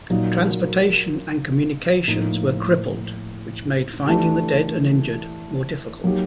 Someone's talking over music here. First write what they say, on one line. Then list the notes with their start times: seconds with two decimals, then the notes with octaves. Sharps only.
Transportation and communications were crippled, which made finding the dead and injured more difficult.
0.10 A#2 F#3 A#3 D#4 F#4
2.08 A2 F3 A#3 D#4
4.05 E3 A3 D4 G4
6.04 F#3 A#3 D#4 G4